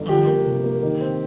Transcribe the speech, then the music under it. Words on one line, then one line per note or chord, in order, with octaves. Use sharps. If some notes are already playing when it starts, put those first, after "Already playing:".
Um. Hmm.
Already playing: G1
F3 G4
A#3
C3
A#3
D#3
C4